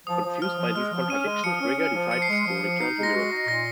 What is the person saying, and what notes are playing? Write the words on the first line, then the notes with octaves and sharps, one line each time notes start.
Confused by these contradictions, Rigger decides to return to Europe.
F3 D#6
F3
F3 F6
F3
G#3 F6
F3
C#4 D#7
G#3
F3 C#7
C#4
C#4
F3
F3 C#7
C7
G#3 C#7
F3
F3
D#4 C7
G#3
A#6
F#4
D#4
A#2 A#6